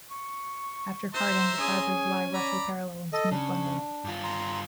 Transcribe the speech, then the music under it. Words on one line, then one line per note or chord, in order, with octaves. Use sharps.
After carding, the fibres lie roughly parallel in smooth bundles.
C#6
C5 E5 A#5 C6
C#4 G#4 G#5
D5 A#5 B5
A4 D#5
C#3 D4
G2 F4
A#5 C6